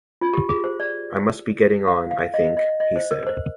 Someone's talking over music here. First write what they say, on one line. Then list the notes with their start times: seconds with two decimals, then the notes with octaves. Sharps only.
"I must be getting on, I think," he said.
0.21 F4
0.33 G4
0.49 G#4
0.64 C5
0.80 D5
1.88 F5
2.11 F5
2.34 D#5
2.57 D#5
2.80 D#5
2.96 C5
3.11 A#4
3.27 C5